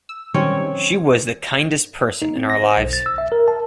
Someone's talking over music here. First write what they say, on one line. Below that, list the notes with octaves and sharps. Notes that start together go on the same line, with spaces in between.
She was the kindest person in our lives.
E6
D#3 F#3 G3 C4 C#4 C#5
D#4
C4
A#6
C5
B1
A6
E6
E5
A#4
A5